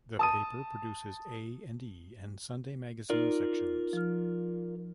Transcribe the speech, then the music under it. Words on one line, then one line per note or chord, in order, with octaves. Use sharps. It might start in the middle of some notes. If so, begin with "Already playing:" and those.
The paper produces A and E and Sunday Magazine sections.
A5 D#6 D#7
D#4 F4 A#4 D5
F3 F6